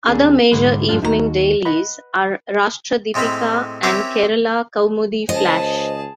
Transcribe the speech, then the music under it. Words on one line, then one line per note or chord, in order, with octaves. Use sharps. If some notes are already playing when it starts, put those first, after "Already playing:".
Other major evening dailies are "Rashtra Deepika" and "Kerala Kaumudi Flash".
D#2 C4 D4 G#4
C2 G#2 D3 G#3 B4
G2 F3 G3 G#3 D4 F4
D#2 D#4 F#4 G4 A#5
B4 D#5 F#5 B5
A2 G#3 C4 F5 B5
C4 C#4 E4 G4 A#4 B4
C#2 G#4 C5 D#5 A5